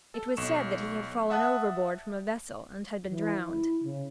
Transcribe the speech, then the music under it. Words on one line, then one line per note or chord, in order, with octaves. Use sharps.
It was said that he had fallen overboard from a vessel and had been drowned.
A4
B1 C#6 E7
E5 F#5 A5 D#6 F#6
E3
E4
C#3